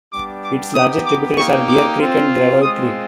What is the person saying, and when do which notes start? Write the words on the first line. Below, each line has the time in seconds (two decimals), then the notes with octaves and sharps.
Its largest tributaries are Deer Creek and Gravois Creek.
0.13 G3 B3 D4 G4 D6
0.44 D6
0.75 B3 D#4 G4 D#6
1.06 D6
1.37 A#3 D#4 G4 C#6
1.68 D6
1.99 C4 F4
2.62 G#3 C4 F4 D#6